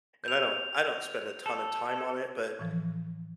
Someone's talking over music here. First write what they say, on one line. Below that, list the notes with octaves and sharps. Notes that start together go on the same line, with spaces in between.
and I don't I don't spend a ton of time on it, but
G6 F7
A4
A2 E3 F3